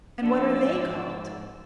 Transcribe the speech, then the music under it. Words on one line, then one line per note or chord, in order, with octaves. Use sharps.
"And what are they called?"
F3 D4 F#4 A4 D5 E6
G#2